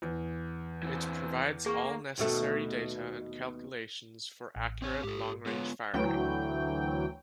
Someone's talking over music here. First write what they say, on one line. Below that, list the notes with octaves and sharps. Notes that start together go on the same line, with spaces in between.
It provides all necessary data and calculations for accurate long range firing.
E2
E3 C4
A#3 G#4 C#6
D#2 B2 A3
A1
C4 C#5
G#2 G4 A4
G#3 B3 F4 C#5
D2 E3 F#3 G5